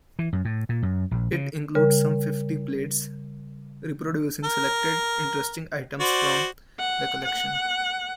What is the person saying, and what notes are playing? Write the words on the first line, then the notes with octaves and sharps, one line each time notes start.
It includes some fifty plates, reproducing selected interesting items from the collection.
E3
F#2
A2
A#2
F#2
A#1
C#3
C#3 G3 A#4
A#4
F#4 C5 D5
F#5
F#5